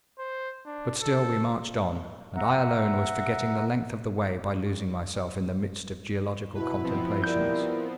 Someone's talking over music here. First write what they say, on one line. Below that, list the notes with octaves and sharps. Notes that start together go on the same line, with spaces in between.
But still we marched on, and I alone was forgetting the length of the way by losing myself in the midst of geological contemplations.
C5
D4
A4
E5 F#5 A#5
B2 E4 B4
F3 B3 C4
G3 F4 A#4 D5 G6